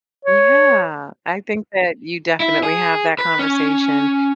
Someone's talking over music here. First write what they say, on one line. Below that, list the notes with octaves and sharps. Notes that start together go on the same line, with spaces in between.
Yeah, I think that you definitely have that conversation.
C#5
E4
G#4
B4
C#4